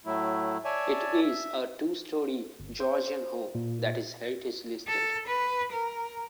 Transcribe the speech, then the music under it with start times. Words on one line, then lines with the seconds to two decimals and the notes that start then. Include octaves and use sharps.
It is a two-storey Georgian home that is heritage-listed.
0.05 A2 F#3 A3 E4
0.65 C#5 D5 E5 G#5 A5
1.21 E5
2.60 G1
2.80 C5
3.55 A#2
4.87 A4
5.28 B4
5.72 A#4